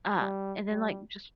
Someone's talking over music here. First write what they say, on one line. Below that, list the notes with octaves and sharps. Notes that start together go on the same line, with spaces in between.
Uh, and then, like, just
G3
G3